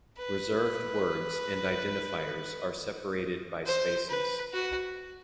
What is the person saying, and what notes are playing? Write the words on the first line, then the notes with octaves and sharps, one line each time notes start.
Reserved words and identifiers are separated by spaces.
B4
C5
B4
F#4